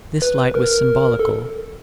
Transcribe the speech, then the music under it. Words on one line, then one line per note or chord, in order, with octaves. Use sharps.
This light was symbolical.
B4
A#4
A4